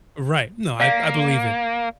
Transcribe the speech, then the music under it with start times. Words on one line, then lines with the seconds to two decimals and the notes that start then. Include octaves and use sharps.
Right, no, I b I believe it,
0.80 A#3 D5 F5